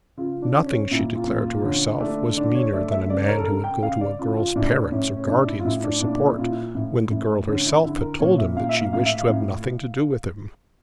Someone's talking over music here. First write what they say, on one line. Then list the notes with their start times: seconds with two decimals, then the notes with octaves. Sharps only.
Nothing, she declared to herself, was meaner than a man who would go to a girl's parents or guardians for support, when the girl herself had told him that she wished to have nothing to do with him.
0.17 C#3 F4
0.42 D4
0.54 C#3
0.66 C#4
0.91 A#2 E4
1.15 F4
1.28 A#2
1.39 F4
1.64 D3 C#4
2.00 A3 D4
2.37 D3 D4
2.55 C#5
2.73 A3 D5
2.91 E5
3.09 C#3 D5
3.23 C#5
3.28 A#4
3.38 A4
3.46 C#3 A#4
3.64 G5
3.82 C#3 F5
4.01 D5
4.19 C#3 F4
4.37 F4
4.55 A2 D4
4.92 A2 C#4
5.16 C#4
5.28 A2 D4
5.47 E4
5.59 F4
5.65 A2 E4
5.83 D4
6.01 A#2 D4
6.14 D4
6.26 E4
6.38 A#2 F4
6.50 E4
6.75 A2
7.11 A2
7.47 D3 C#4
7.65 E4
7.84 D3 E4
8.01 A#4
8.20 A#2 C#5
8.38 E5
8.57 A#2 F5
8.69 E5
8.75 F5
8.93 A2 F5
9.06 E5
9.19 F5
9.30 A2